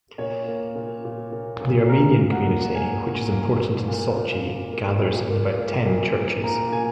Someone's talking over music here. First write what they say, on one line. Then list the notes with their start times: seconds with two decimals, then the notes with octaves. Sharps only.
The Armenian community, which is important in Sochi, gathers in about ten churches.
0.18 A#2 C#5
0.48 A#3
0.75 A#2
1.04 A#2
1.32 A#2
1.61 A#2
1.89 A#2 A#4
2.18 A#3
2.32 F#5
2.46 A#3
2.75 A#3 G#5
3.03 A#3
3.31 A#3
3.59 A#3
3.88 A#2
4.17 A#2
4.45 A#2
4.73 A#3
5.02 A#2
5.30 A#2
5.58 A#3
5.86 A#2
6.15 A#3
6.43 A#2 A#5
6.72 A#2 G#5